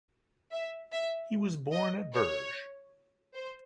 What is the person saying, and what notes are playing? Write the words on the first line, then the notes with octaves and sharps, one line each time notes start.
He was born at Bourges.
E5
E5
D#5
C#5
C5